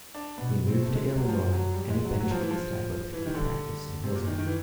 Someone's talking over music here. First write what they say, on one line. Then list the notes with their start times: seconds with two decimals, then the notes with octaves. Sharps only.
He moved to Illinois and eventually established a practice in Hillsboro.
0.14 D4
0.38 B2 B3
0.68 C4
0.83 C3 A3
0.95 G#3
1.17 F#3
1.28 F#2 F3
1.52 F#3
1.74 F2 G3
1.90 G#3
2.05 F#3
2.20 G2 F#3
2.31 F3
2.41 E3
2.51 F3
2.66 A2
3.12 G2 E3
3.26 D#3
3.35 D3
4.03 F#2 C3
4.15 A#2
4.27 D#3
4.38 D#3
4.47 E3